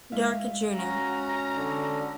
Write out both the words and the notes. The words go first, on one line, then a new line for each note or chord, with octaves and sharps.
Durkee Jr.
G#3 E5 F5
C#4 F#4 A#5
D3